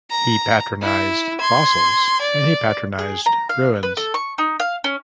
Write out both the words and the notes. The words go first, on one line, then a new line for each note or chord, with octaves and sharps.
He patronized fossils, and he patronized ruins.
A#5
E4
C6 G#6
D5
G#4
A#5
F5
B4
A4
C#6
D#4
F5
C#4